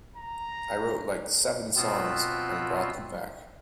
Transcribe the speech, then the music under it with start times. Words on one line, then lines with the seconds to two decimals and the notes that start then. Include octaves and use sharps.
I wrote, like, seven songs and brought them back.
0.16 A#5
1.76 B2 B3 C4 F4 E6